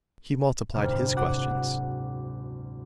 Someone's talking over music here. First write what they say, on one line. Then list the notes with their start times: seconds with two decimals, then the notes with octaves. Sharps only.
He multiplied his questions.
0.74 F#1 D2 G#2 C3 F6
1.17 F#4 F#5 D6